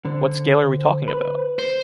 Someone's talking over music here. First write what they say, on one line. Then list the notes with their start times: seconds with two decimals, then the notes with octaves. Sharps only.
What scale are we talking about?
0.05 D3 C5
1.08 B4
1.59 C5